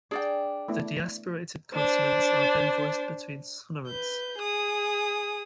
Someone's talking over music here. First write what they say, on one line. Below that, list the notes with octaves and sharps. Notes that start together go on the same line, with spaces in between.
The deaspirated consonants are then voiced between sonorants.
D4 G#4 D5 G5
A3 B3 E4
D4 C5
B4 G6
G#4 D#6